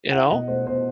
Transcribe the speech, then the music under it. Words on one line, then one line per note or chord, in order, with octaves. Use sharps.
you know?
E4 F#5
B2 D#5
A3 C5
B2 C5